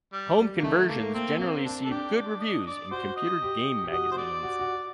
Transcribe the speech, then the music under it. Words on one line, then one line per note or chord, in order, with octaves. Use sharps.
Home conversions generally received good reviews in computer game magazines.
G3
G3
A#3
D#3 A3
A3 A#3
A#3 C4
A#3 C4
D4
A4
D4 G4
D5
D#5
D5
F#4 C5
D#5
G4
G4
F#4 D#5
C5
D5
F#4
F#4